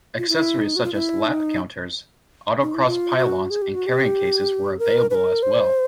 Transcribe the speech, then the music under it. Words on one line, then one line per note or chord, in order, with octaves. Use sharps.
Accessories such as lap counters, autocross pylons and carrying cases were available as well.
F4
E4
D#4
F#4
F4
E4
D#4
D#4
E4
F4
F#4
G#4
G4
F#4
G4
A#4
B4
A#4
C5